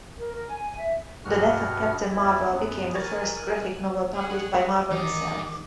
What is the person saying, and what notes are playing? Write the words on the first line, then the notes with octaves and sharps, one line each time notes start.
"The Death of Captain Marvel" became the first graphic novel published by Marvel itself.
A#4
A#4
G#5
G#5
E5
G2 B2 F#4 F6
E2 E4
F#2 B3
E3 A#4 G#5 C#6 F#6 G#6 A6
G3 G#4 C#5 F#5
D#3 E3 D#4 G#4 D6